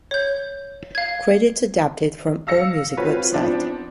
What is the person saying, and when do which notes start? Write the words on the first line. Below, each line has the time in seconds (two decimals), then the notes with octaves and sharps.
Credits adapted from Allmusic website.
0.11 C#5 G6
0.95 F5 G#6
2.47 F5 E6 A#6 C#7
2.97 C4 F4 F#4 B4 C#5
3.32 F3 B3 C4 D4 D#4